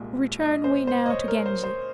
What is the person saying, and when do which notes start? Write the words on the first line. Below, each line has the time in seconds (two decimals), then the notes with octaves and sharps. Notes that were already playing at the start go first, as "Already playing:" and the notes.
Return we now to Genji.
Already playing: C2 A#2 G#3
0.41 D#5
0.64 C5
0.87 C5
1.06 D#5
1.10 C#5
1.28 A#4
1.46 C5
1.64 C5